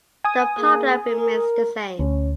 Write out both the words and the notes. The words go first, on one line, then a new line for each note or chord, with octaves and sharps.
The problem remains the same.
G#5 D#6
A#3 G#4
A#4
D2 C#4